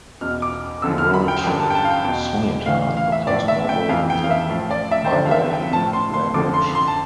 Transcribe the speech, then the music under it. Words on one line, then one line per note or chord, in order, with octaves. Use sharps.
He wrote "Sunita" the first novel in the Magahi language.
E2 B2 F6
D6
E2 D3 F3 E6
F6
B5
G5
G2 D3 F3 G5
A5
G5
A5
F5
G5
E2 B2 G5
A2 E3 F5
F5
F5
E5
A2 F3 D5
E5
G5
F2 E3 F5
G5
F5
E5
A2 F3
D5
E5
C5
G2 D3 F3 D5
F5
E5
G5
A2 F3 A5
C6
C6
F2 D3 F3 D6
C6
C6
A5